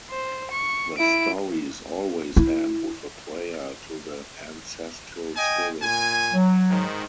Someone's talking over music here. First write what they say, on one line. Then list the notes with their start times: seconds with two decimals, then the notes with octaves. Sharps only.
The stories always end with a prayer to the ancestral spirits.
0.11 C5
0.51 C#6
0.98 E4 D7
2.37 E4
5.36 D#5 G5 G#5
5.81 A#2 G#5
6.32 F#3
6.70 G#2 D#3